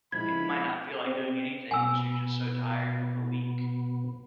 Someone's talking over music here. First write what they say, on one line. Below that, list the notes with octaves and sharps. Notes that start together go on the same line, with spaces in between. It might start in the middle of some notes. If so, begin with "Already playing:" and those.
and you might not feel like doing anything 'cause you're just so tired from the week.
F3 G#3 E4 B5 G#6
C4
B2 B3 G#5 E6